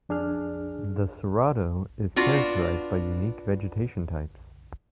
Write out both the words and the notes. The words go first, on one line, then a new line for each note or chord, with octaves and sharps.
The Cerrado is characterized by unique vegetation types.
F2 D4 G#4 F6
B3 D4 F4 F#4